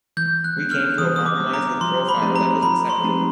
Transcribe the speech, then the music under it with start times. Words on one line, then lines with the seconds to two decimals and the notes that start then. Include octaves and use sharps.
We came to a compromise with Profile that was acceptable.
0.17 E3 G6
0.44 F#6
0.58 G3 B3 D4
0.71 F6
0.98 E3 D#6
1.16 D#6
1.26 D6
1.40 G3 B3 D4
1.54 A#5
1.81 F3 C6
2.09 B5
2.22 A3 C4 D#4 G4
2.36 A#5
2.63 F3 B5
2.90 C6
3.04 A3 C4 D#4 G4